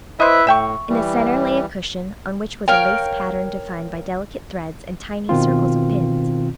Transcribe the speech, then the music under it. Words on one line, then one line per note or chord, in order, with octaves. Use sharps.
In the centre lay a cushion on which was a lace pattern defined by delicate threads and tiny circles of pins.
E4 B4 C5 D#5 E5
A2 E5 G5 C#6
E3 G3
A#4 C#5 F5 G5
B2 D#3 C4 F4